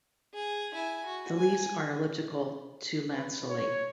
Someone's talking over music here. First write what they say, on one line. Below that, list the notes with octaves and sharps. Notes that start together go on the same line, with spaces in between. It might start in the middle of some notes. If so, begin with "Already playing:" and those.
The leaves are elliptical to lanceolate.
G#4
E4 G#5
F#4
G#5
B4
C#5